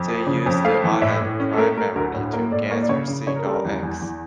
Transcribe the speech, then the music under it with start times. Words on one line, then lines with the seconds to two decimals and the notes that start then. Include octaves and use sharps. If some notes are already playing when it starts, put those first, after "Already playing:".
They used the island primarily to gather seagull eggs.
Already playing: F2
0.08 F3
0.27 C#3
0.46 F2
0.65 A3 F5
0.84 E3
1.02 A2 E5
1.21 A2
1.40 C#4
1.53 A4
1.58 A3 A#4
1.77 A3 A#4
1.96 D2 A#4
2.14 A2
2.33 A#3 A#4
2.51 A2 D5
2.71 A#3 C#5
2.82 D5
2.89 C#3 C#5
3.08 C#3
3.26 C#3 C#5
3.36 A#4
3.45 G3 A4
3.53 A#4
3.65 E2
3.83 E2
4.02 E2